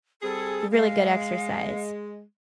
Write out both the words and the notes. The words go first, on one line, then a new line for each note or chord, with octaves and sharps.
Really good exercise.
G3 C4 G#4 A4
G#3 F5